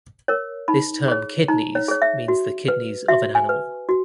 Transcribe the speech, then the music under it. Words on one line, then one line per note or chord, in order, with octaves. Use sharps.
This term "kidneys" means the kidneys of an animal.
A#4 C#5
D#4 B5
G#4 C#5
D#4 A#5
C#5
G#4 C#5
E5
F#4
B4
F#4 E5
G#5
B4
F#4